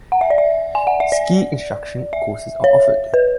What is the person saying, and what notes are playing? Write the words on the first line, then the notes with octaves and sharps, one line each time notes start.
Ski instruction courses are offered.
F#5
E5
D5
E5
G#5
F#5
E5
D5
E5
C#5
B4